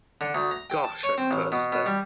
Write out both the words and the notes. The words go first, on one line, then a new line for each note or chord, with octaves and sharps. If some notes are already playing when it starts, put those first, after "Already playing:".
Gosh, I'm thirsty.
D3
D2
A#5
G5
A5
C#5
C4
A1
B2
B2
G3